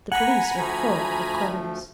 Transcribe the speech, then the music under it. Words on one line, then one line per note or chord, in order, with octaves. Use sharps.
The police are full of cleverness.
F#5 G#5 A#5 B5
D2 F3 A3